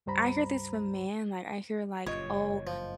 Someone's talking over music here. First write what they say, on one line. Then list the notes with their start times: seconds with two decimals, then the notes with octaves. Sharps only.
I hear this from men, like, I hear, like, "Oh,
0.06 C#2 G2 G3 C5 A#5 B5
2.06 F#1 G2 A#2 F4 C#5 D#5
2.67 F3